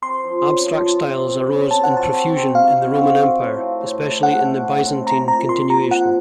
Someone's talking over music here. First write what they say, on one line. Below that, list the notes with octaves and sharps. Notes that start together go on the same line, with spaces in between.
Abstract styles arose in profusion in the Roman Empire, especially in the Byzantine continuation.
C4 C6
F3
C#3
F3
F4
C4
C4
C#3
C4 A5
F#5
F#4
A5
C4
C4
D#4 F5
F#4
C4
C4
A2
C4
A2
A2
A3 F#5
A3
A2
C4
C4 A#5
A#2 A#5
A#2 C6
F3 A#5
F3 F#5